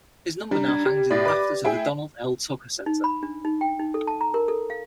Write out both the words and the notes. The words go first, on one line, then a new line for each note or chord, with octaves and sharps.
His number now hangs in the rafters of the Donald L. Tucker Center.
G3 D4 A#5
D4 G#6
G4
A2 D5 A6 A#6
B4 D6
A3 E4 G#4 E5 G5
D#4
B5
D4
D#4
G5
D#4
A4
A5
A#5
A#4
A4
F5